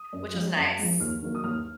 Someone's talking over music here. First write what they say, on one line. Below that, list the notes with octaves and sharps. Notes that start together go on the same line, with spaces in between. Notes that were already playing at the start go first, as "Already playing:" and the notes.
which was nice.
Already playing: D#6
F#2
F3 G#3
F#2
F3 G#3
D#2 F6
D#3 F#3 A#3
D#6
D#2 F6